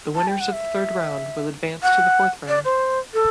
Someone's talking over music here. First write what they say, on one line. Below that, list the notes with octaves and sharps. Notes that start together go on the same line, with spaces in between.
The winners of the third round will advance to the fourth round.
A5
G5
F#5
E5
F#5
D5
C5
A4